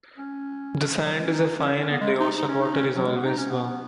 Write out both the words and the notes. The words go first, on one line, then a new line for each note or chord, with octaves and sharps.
The sand is a fine and the ocean water is always warm.
C#4
G#3
F#3
G#3
C#4
D#4
D#4
C#4
C#4
B3
G#3
D#4
D#4
C#4
D#4
C#4
F#3
G#3
B3
D#4
C#4
B3
B3